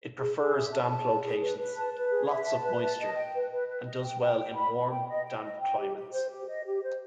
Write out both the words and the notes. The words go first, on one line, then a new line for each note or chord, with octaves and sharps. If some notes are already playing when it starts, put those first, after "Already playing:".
It prefers damp locations, lots of moisture, and does well in warm, damp climates.
G#4
G#4
E5
A5
A5
G#4
G#4
B4
B4
A5
B4
G#4
E5
A5
B4
A5
D#5
G5
B4
B4
B4
D#5
G5
G5
G5
B5
B5
G5
D#5
G5
D#5
G5
G4
G4
C5
G4
D#5
G4
C5